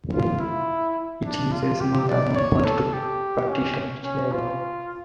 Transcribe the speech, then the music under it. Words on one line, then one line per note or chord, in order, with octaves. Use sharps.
It uses more than one point to partition each level.
F4
E4
D4
F4
G4
D5
C#5
A4
G4
C#4
C#4
F4